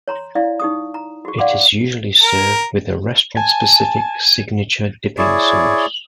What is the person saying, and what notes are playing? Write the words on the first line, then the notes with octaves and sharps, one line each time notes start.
It is usually served with a restaurant-specific signature dipping sauce.
C#5 A#5 C6
E4 D5 F5
D#4 G4 D#6
A#5
F#4 G4
D5 F5 F#5 C6 D6
A#4
G#5 A5
E4 G#4 C#5 D5